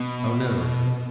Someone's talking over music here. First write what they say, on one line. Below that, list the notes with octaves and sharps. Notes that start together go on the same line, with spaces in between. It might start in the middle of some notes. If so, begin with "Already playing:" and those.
"Oh, no."
Already playing: B2